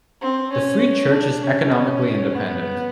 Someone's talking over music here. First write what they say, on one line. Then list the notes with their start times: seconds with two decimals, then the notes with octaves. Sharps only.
The Free Church is economically independent.
0.21 C4
0.52 C#4
1.12 D4
1.43 C#4
1.73 C#4
2.35 B3